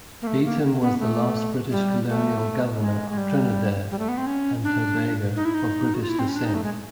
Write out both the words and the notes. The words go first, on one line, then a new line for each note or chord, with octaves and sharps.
Beetham was the last British colonial governor of Trinidad and Tobago of British descent.
A#3
A3
A#3
B3
A3
G3
A3
G#3
G#3
G3
G3
A3
B3
C4
C#4
D4
D#4
E4
D#4
F#4
F4
E4
C4
C#4
D4
D#4
A3
G#3